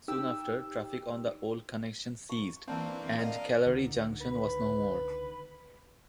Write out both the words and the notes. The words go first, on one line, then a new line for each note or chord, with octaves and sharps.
Soon after, traffic on the old connection ceased, and Callery Junction was no more.
D#4 G4 G5 E6
C#6
E3 A#3 C4 D4 G5 E6
A#4 D5 D#5 F5 F#5
C#2 D3 D#3
B4